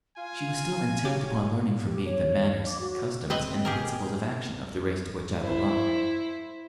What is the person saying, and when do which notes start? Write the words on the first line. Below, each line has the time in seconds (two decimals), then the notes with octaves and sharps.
She was still intent upon learning from me the manners, customs, and principles of action of the race to which I belonged.
0.17 F4 F5 G#5
1.05 F#3 G4
1.85 G4
2.04 C#5
2.66 D6
2.79 F#4
3.30 C4 B4 D#5
3.65 G4 G#4 A#4
5.41 E4 C5